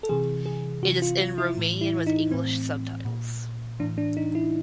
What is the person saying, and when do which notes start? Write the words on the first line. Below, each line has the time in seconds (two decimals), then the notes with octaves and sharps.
It is in Romanian with English subtitles.
0.03 A4
0.09 C3 E3 G#4
0.46 G#4
0.83 C3 E3 F#4
1.02 F4
1.20 F4
1.38 E4
1.57 A2 E3
1.81 E4
2.07 D#4
2.31 A2 E3 C4
3.05 A#2
3.80 A2 E3 D4
3.98 D4
4.17 D#4
4.35 E4